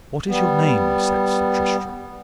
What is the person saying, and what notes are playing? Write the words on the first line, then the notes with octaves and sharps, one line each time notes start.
What is your name? said Sir Tristram.
G3 B3